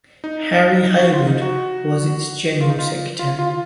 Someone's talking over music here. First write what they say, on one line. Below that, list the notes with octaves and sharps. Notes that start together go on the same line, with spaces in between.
Harry Haywood was its General Secretary.
D#4
D#4
F#4
F4
D#4
F#4
F4
D#4
F4
F4
F4
F4